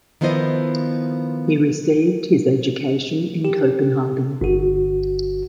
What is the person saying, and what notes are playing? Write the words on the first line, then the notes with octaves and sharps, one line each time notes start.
He received his education in Copenhagen.
D#3 F3 B3 E4 C5 D#5
G4
G1 F#4